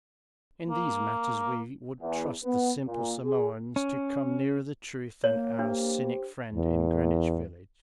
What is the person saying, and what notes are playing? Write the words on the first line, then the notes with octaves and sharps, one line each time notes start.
In these matters we would trust the simple Samoans to come nearer the truth than our cynic friend in Greenwich Village.
A#3
E2
B3
A#2
G#4
C#4
A#3 C#5
D4 G4 C5
E2